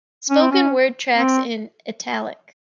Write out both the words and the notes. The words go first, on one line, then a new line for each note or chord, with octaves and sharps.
Spoken word tracks in "italic".
C#4
C4
C#4
C4